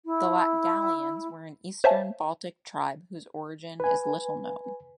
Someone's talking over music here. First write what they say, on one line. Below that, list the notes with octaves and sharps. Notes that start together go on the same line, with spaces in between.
The Latgalians were an Eastern Baltic tribe whose origin is little known.
E4
C5 C#5 E5 F5 G#5 A5
B4 G#5